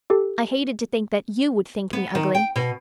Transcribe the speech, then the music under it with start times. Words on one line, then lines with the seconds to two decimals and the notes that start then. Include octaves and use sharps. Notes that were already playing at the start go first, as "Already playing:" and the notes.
I hated to think that YOU would think me ugly.
0.10 G4 A4
1.93 B3
2.15 D#3
2.35 G5
2.56 B2